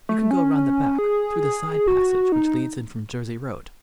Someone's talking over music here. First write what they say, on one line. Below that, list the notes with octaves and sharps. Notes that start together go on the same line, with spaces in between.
"You can go round the back through the side passage which leads in from Jersey Road."
A3
C#4
G#4
F#4
D#4